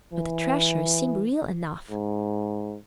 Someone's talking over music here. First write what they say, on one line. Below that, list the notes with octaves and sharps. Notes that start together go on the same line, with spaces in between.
But the treasure seemed real enough.
E3
G#2